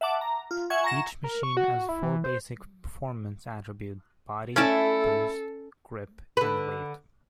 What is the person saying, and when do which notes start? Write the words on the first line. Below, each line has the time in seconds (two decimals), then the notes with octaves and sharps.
Each machine has four basic performance attributes: body, boost, grip and weight.
0.01 E5 F#5 A5 D6
0.21 A#5
0.51 F4
0.70 E5 F#5 G#5 C#6 G#6
0.84 A#5 C#6 A#6 E7
1.24 A#4
1.43 C#6
1.57 F#4
1.89 E4
2.03 E3
2.24 C5
4.56 A3 C#4 E4 A4 D5 A5
6.37 D3 B4